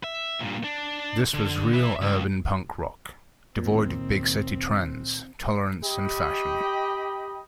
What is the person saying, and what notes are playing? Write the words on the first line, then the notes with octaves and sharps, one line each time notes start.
This was real urban punk rock, devoid of big city trends, tolerance and fashion.
E5
G2 A#2
D4
D3
B4 E5
C#2
C#2 A#2 D#3 C4
G4 D#5 G5 B5